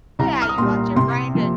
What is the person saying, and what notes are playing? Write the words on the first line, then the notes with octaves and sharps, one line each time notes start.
Yeah, you want your brain to
C2 A#5
F6
D#6
A#2 G3 C6
C3 C6
F3 A#3